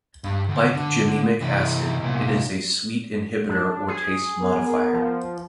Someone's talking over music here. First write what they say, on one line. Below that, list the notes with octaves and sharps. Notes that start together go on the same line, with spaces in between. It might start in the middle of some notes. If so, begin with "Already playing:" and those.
Like gymnemic acid, it is a sweet inhibitor or taste modifier.
G2
D2
D3
C3 E3
C2 A#2
D4
G#4
B3 A#4
F3